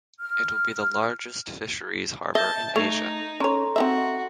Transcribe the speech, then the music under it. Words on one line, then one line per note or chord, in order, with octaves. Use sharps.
It will be the largest fisheries harbour in Asia.
F6
D#5 E5 A5 G6 G7
A3 D#4 G#6 F7
C#4 A4 C#5 A#5 C6
C4 D#4 F#4 E5